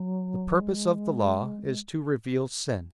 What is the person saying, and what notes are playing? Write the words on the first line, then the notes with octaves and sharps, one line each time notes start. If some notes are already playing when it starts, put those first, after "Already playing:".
The purpose of the Law is to reveal sin.
Already playing: F#3
G#3